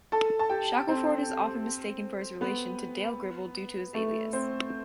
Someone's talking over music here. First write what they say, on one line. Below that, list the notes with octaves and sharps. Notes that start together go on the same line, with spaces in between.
Shackelford is often mistaken for his relation to Dale Gribble due to his alias.
A4 A5
A5
G4 G5
C4 C5
B3 B4
A3 A4
C4 C5